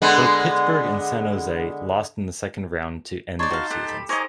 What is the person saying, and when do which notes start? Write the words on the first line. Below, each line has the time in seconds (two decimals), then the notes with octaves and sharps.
Both Pittsburgh and San Jose lost in the second round to end their seasons.
0.02 D3 G#3 B3
3.39 D#4 C#5 D5 A5 C6
3.51 F#4 F5
3.70 G4 A4 F#5
3.89 B5
4.09 D#4 A#4 C5 C#5 D#5 G#5 A#5 D6